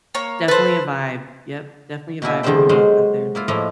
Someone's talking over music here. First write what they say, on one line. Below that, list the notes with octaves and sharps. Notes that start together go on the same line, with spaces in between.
definitely a vibe yep, definitely a vibe when you walk out there
A#3 C#5
A4 B4 C5
B2 A#3 E4 G#5
E2 D3 F3 G3 C5 G5
F#3 G#3 C5 D#5 F5
A#3 E4 F4
A2 F3 A#3 E4 D#5 A#5